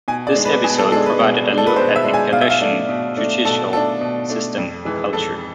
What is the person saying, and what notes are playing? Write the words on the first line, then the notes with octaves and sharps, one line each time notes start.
This episode provided a look at the Cardassian judicial system and culture.
B2 G#5
D5
G#3 D4
B4
B2 G#4
A4
G#3 D4 A4
B4
B2
G#3 D4
A4
B4
B2 C5
E5
G#3 D4
G#5
B2 F5
E5
F5
A3 D4
B2
A3 D4
B2 A4
A3 D4 A4
B2
A3 D4
F2
E3 G#3
F2 A4